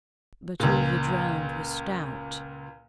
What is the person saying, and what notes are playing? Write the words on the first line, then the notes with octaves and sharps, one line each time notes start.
But all the drowned were stout.
C#2 A#2